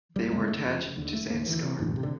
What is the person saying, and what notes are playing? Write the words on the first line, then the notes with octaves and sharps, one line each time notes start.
They were attached to Zanskar.
F#1 G3
F2 C#3 G#3
F#1 A3
F2 C#3
F1
D#2 D3
F1 A3
D#2 D3 A#3
D2 E3
C3
D2
C3
D3